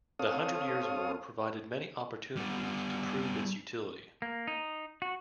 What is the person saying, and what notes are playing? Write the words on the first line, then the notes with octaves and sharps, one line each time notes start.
The Hundred Years War provided many opportunities to prove its utility.
C4 A4 C#5 F5 D#6
G3 B3
A#3
D#4
F#4